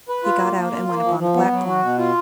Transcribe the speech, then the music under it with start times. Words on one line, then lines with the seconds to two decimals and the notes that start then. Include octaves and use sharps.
He got out and went upon the platform.
0.09 B4
0.24 F4
0.41 A#3
0.56 A#3
0.72 F4
0.88 A#3
1.04 F3
1.20 F3
1.35 B3
1.52 F#3
1.68 F#4
1.83 B2
1.98 F4